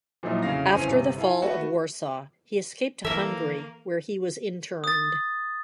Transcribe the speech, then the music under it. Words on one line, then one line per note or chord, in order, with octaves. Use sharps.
After the fall of Warsaw he escaped to Hungary, where he was interned.
A#2 F3 F#3 A3 D#4 E4
F1 C#3 C#4 E4 F5 A#6
G1 E3 C#4 C5 D#7
G1 C3
E4 A4 F5 G#5
A3 F#4 A4 B4
E3 A#3 A4 A#4 E5 E6
D#6 A6